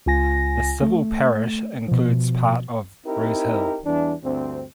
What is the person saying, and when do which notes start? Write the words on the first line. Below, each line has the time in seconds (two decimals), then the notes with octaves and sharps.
The civil parish includes part of Rose Hill.
0.06 C#2 F4 G#5 A#6
0.82 A3
1.88 B2 F3
3.06 C4 D#4 E4 G4 A#4
3.86 E2 E3 G3 D4
4.24 D2 G2 C4